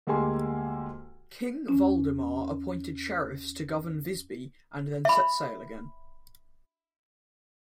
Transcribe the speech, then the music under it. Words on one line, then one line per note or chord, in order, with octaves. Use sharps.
King Valdemar appointed sheriffs to govern Visby and then set sail again.
D2 G#3 A#3 G4 G#5 C6
E2 C#4
E5 B5